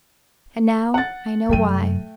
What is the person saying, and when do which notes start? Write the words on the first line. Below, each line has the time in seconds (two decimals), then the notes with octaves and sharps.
And now I know why.
0.94 F#5 A6
1.49 F#2 C3 A3 G5 D#7